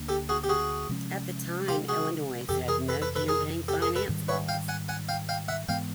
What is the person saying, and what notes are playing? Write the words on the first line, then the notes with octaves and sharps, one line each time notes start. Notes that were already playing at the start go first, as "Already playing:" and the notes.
At the time, Illinois had no campaign finance laws.
Already playing: D2 D3 A#3
G4 A4
F#4 G#4
G4
F#4 G#4
C3 F3 G#3 C#4
F4 G4
F#4 G#4
F2 C3 E3 G4 A4
G#4 A#4
A4 B4
A4 B4
A4 B4
G#4 A#4
G4 A4
G#4 A#4
A4 B4
G#2 D#3 G3
B4 C#5
F5 G5
F#5 G#5
F#5 G#5
F5 G5
F5 G5
E5 F#5
G#2 E3 G#3 B3 F5 G5